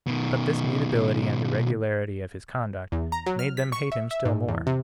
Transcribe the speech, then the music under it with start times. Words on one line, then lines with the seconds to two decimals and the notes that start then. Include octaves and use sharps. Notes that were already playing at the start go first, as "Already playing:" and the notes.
But this mutability and irregularity of his conduct made them hate him still more.
0.07 B2 D#3
2.92 E2
3.12 A#5
3.26 F#3
3.39 F6
3.57 B6
3.72 C#6
3.92 E5
4.11 E5
4.25 G#2
4.48 E2
4.67 C3